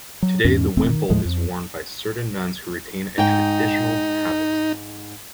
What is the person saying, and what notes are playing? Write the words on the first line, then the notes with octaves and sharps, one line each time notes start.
Today the wimple is worn by certain nuns who retain a traditional habit.
F#3
E2 G#2 E3 C#4
F1 E2 A3 C4
D#3
D#2 A2 F3 G#3
F2
G#2 D#4 G5